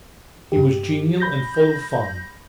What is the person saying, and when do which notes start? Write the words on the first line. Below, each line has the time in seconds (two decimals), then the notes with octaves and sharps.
He was genial and full of fun.
0.52 G2 G4
1.20 B5 G6 A#6